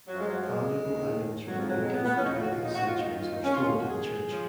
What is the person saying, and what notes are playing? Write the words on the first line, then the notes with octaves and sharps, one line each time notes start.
Valuable items from the nineteenth and twentieth centuries are stored in the church.
F#2 F3 F#3
G#3
F#3
G#3
D#2 D#3
F2 C#3 F3 F#3
F3
F#3
G#3
B3
B3
D#2 C#3 F3 C#4
D#4
F4
F#4
F4
D#4
F#4
D#2 D#3 F4
D#4
F4
D#4
C#4
D#2 D#3 F4
F#4
G#4
C#3 F3